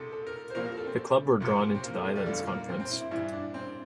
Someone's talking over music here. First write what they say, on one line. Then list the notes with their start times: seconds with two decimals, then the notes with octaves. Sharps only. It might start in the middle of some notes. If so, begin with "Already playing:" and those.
The club were drawn into the Islands Conference.
Already playing: C2 C3 A4
0.12 A4
0.27 A#4
0.50 C5
0.55 C2 A#2 F3 A#4
0.66 A#4
0.77 A4
0.87 C4
1.40 C2 C3 F3
1.75 C4
1.83 A#3
1.94 A3
2.05 A3
2.16 G3
2.26 F2 D3 F3 A3
2.47 A#3
2.69 C4
2.80 C4
2.91 E4
3.01 E4
3.11 G2 E3 E4
3.33 D4
3.54 C4